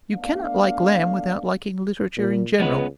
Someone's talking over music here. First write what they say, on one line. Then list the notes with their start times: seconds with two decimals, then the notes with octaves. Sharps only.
You cannot like Lamb without liking literature in general.
0.15 A3 B3 D4 F5
2.17 A#2
2.60 C#2 G#3 B3 B4